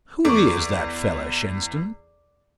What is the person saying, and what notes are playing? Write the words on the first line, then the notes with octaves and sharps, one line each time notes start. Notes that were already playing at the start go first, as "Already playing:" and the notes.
"Who is that fella, Shenstone?"
E2 A4 D5 C#6